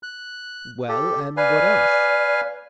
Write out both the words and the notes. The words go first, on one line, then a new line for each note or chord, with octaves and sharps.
"Well--and what else?"
F#6
G4 A4
B4 D5 F5 G#5